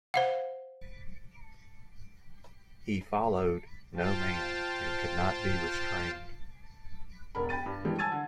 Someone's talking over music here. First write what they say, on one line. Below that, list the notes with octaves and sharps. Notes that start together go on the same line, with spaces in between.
He "followed no man", and "could not be restrained".
C5 F5 F#5
F4 C5 F5 G5 A5
E1 A#4 B5
G5 B5 A6 D#7
G2
E3 G3 G#3 D4 E4
G#5 A5 E6 G#6 A6 D#7
D3